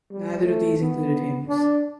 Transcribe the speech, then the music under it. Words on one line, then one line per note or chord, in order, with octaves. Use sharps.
Neither of these included hymns.
G3
A3
B3
D4